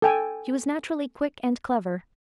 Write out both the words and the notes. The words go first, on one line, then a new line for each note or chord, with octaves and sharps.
She was naturally quick and clever.
A4 G5 G#5